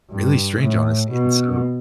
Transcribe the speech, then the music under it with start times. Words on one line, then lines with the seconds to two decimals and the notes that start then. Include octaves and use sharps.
really strange, honestly, and so
0.10 G2
0.60 A2
1.11 B2